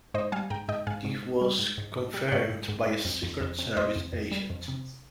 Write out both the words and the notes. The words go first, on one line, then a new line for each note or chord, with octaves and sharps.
This was confirmed by a Secret Service agent.
G#2 C5 D#5
G3 F5 G#5
G#2 G5 A#5
G#2 D#5 G5
G#2 F5 G#5
G#2
G#2
G3
G#2
G#2
G#2
G3
G5
G#2 C#5 F5
G#2
G#2
G#2
F2
F2
F2
C3
F2 C5 D#5
F2
F2
G3
F2
C3